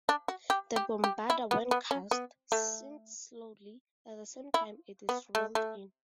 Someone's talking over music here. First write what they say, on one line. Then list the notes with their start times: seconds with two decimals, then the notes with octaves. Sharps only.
The bombarda when cast, sinks slowly, at the same time, it is reeled in.
0.09 D4
0.28 F#4
0.50 G4
0.76 G4
1.04 G4
1.30 E4
1.51 B3
1.71 B3
1.91 C#4
2.11 B3
2.52 A3
4.54 E4
5.09 B3
5.35 A3
5.55 A3